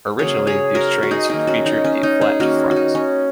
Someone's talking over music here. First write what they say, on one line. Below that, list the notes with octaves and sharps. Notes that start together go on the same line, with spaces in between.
Originally, these trains featured a flat front.
C#3 F#3 A#3 G#4 C#5
G#4 C#5
F#4 A#4
F#4
D#4 G#4
D#3 F#3 A#3 D#4
C#4 F#4
D#4
C#4
D#4
D#4 G#4
D#3 A#3 C#4 F#4
F#4
D#4
C#4